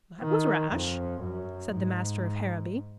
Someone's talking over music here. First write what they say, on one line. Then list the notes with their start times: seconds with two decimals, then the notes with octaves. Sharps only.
"That was rash," said the master of Harrowby.
0.21 D#3
0.72 F2
1.22 F#2
1.72 G#2